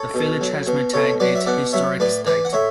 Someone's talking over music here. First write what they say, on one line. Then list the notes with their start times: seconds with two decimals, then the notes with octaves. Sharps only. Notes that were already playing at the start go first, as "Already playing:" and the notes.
The village has maintained its historic state.
Already playing: A4 C#5
0.14 B2
0.41 F#3
0.67 B2
0.93 B2 A4 C#5
1.20 F#3 B4 D5
1.35 E5
1.46 B2 D5 F#5
1.73 F#3 C#5 E5
2.00 A2 B4 D5
2.26 E3 B4 D5
2.45 F#5
2.53 A2 C#5 E5